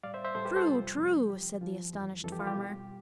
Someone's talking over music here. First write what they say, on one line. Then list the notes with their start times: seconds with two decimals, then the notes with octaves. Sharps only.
"True, true!" said the astonished farmer.
0.03 A2 G3 D5 F5
0.14 C5 E5
0.24 C5 E5
0.35 A2 G3 A4 C5
0.45 G4 B4
0.56 A4 C5
0.66 F2 C3 G3 F4
0.98 F2 C3 G3
1.30 G2 F3 G4
1.61 G2 F3 F4
1.93 F2 E3 G3
2.24 F2 E3 G3 A4
2.32 G4
2.39 F4
2.47 G4
2.56 B2 G3